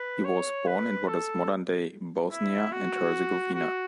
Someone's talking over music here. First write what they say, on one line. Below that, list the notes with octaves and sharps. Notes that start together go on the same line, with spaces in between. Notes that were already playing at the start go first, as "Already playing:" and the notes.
He was born in what is modern-day Bosnia and Herzegovina.
Already playing: B4
C#5
B4
A4
E4
F#4
F#4